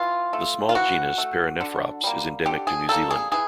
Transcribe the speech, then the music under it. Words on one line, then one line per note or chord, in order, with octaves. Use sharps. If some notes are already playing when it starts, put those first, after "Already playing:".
The small genus "Paranephrops" is endemic to New Zealand.
Already playing: E3 F4
A3
F4
E3 F#4
A3
D3
G3 A#3
D3 G4
G#4
G3 A#3 A4
G#4
E3 G#4